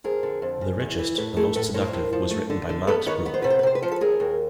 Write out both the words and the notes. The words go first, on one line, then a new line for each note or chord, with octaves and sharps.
The richest, the most seductive, was written by Max Bruch.
F2 G#4 A#4
D3
F2
C#3
E2
E3
A2 A4 B4
B4
A3 G#4 A#4
A2 A4 B4
A2 A#4 C5
A2
F3
A3
D3
D3
B3 A4 B4
D#3 B4 C#5
B3 B4
C5
C3 B4
C5
B4
C3 C5
B4
F3 C5
A4 B4
D#2 G#4 A#4
D#2